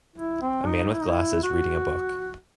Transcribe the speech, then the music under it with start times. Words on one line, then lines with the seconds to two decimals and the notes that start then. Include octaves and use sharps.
A man with glasses reading a book.
0.16 E4
0.41 C4
0.67 D#4
0.93 E4
1.01 D#4
1.09 E4
1.43 F#4